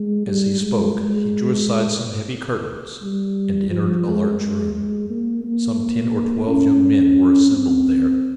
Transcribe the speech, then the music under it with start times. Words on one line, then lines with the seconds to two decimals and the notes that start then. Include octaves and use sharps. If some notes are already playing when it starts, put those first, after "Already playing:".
As he spoke he drew aside some heavy curtains and entered a large room. Some ten or twelve young men were assembled there.
Already playing: G#3
0.26 G3
0.61 G#3
0.95 G#3
3.02 G3
3.71 F3
4.06 G#3
4.41 G#3
4.74 G#3
5.10 A#3
5.44 A#3
6.47 C#4
7.51 C4